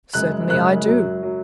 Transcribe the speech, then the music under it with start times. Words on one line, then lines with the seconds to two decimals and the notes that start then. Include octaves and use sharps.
"Certainly I do."
0.14 F#2 C#3 G#3 F#6
0.49 F#2 C#3 G#3 F#6
0.85 F#2 F#3
1.23 F#3